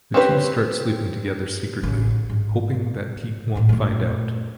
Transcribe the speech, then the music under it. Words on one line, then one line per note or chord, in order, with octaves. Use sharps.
The two start sleeping together secretly, hoping that Pete won't find out.
C4 C#4 G4 B4
A1 C#3
G#2
A2 A#3
A#2 A3